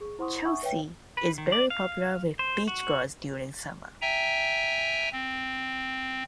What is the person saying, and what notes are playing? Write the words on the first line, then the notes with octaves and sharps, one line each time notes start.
Chelsea is very popular with beachgoers during summer.
G#4 C#6
E4 C5 F#5 C6 C#6 D#6
D#4 E5 F#5 G#5 C#6 D#6
B4 C#5 E5 F5 G5
B4
D#3
D5
F5
C5
F#4
E5 G5 G#5 A#5
C4